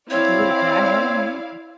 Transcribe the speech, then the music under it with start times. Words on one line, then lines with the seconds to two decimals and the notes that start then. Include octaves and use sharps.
Yeah. No, I haven't heard
0.11 C4 E4 C#5 D5 F5